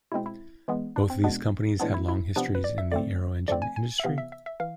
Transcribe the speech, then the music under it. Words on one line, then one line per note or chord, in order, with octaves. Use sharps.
Both of these companies had long histories in the aero-engine industry.
B2 G#3 C4 E4
E4
E3 G#3 B3
D4
C4
B2 G#3 B3 D4
A2 E3 G#3 B3 D4
E4
E4
C3 F3 B3 D4
B4
D5
E5
D3 A3 C4 D5
D3 F3 A3 C4 D5
G#5
G#5
E5
C3 E3 B3 F5
E5
E5
E5
E3 F5